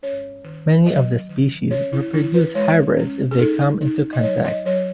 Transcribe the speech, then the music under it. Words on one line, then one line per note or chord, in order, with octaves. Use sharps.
Many of the species will produce hybrids if they come into contact.
C#4 C#5
D#3
F#3 D#5
D#3
C#4 C#5
E4
E3 E4
B4
G#3 C#5
C#4
G#4
D#4 A4
D#4
D#5
F#3 C#5
D#5
F#3 C#5